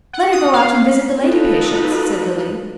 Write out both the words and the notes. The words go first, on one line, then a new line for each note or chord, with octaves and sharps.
"Let her go out and visit the lady patients," said Lily.
F#5
D#6
F5
D#4 F4 F#4 A4 B4